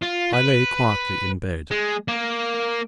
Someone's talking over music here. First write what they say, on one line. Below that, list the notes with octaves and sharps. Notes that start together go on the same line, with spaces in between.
I lay quietly in bed.
F4
B4
G#3
A#3